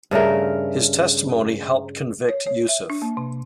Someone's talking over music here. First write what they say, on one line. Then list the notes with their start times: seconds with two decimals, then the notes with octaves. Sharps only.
His testimony helped convict Yousef.
0.11 G2 C#3 A3 A#4
2.29 C#5
2.47 C#5
2.69 E5
2.90 D4
3.02 A#3
3.17 C3